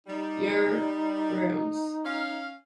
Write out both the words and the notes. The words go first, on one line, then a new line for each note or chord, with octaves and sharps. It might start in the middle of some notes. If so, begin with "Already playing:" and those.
Your rooms.
G3 D#4
C#4 F5